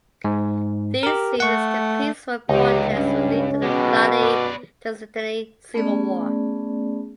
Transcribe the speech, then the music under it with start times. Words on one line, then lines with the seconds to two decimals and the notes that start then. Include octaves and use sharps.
These series of peaceful protests would lead to the bloody Tajikistani Civil War.
0.24 G#2
1.03 G4 A#4
1.40 A3 F#5 C#6
2.49 C#2 D3 D#4 G4 G5
2.91 D2 G2 C#4
3.62 B2 G#3 G4
4.22 B3 B4 D5
5.74 A3 B3 C#4 G#4 D5